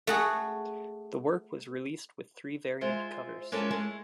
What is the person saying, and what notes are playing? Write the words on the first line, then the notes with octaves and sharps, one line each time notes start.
The work was released with three variant covers.
A3 F#4 G#4
G#3 F4 C5 E5
G#3 A#3 C#4 E4 F4 A4
G#3 A3